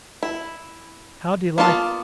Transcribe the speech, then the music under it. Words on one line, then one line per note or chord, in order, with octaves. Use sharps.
How delightful!
E4
A#3 B3 F4 A5